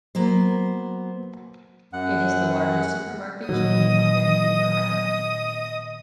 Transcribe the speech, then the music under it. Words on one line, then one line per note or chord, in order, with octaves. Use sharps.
It is the largest supermarket chain on Vancouver Island.
F#3 A#3 B3 C5
F#2 F#5
A#2 D#3 F#3 D#5 D#6